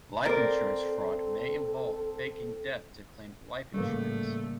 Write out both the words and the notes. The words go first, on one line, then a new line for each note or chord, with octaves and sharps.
Life insurance fraud may involve faking death to claim life insurance.
C4 A4 A#4 D5
A2 C#3 E3 G3 A3 A#3